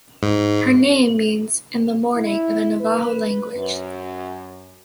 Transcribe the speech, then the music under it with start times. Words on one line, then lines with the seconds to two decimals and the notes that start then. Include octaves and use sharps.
Her name means "in the morning" in the Navajo language.
0.23 G#2
2.14 E4
2.79 B4
3.54 F#2